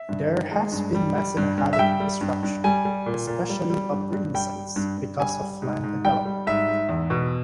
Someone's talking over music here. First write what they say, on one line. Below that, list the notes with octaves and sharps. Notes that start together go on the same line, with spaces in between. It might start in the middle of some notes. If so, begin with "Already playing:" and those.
There has been massive habit destruction, especially of breeding sites, because of land development.
Already playing: E5
G2
D#3
G#3
G2
G3
G3
G2
G2
E5
G3 G5
G3
G2
G2
G3 G#5
G3
A#2
A#2
G3
G3
G2
G2
G3 G5
G3
G2
G2
G3 G#5
G3
G#2
G#2
G3 G5
G3
G#2 E5
G#2
E2
B2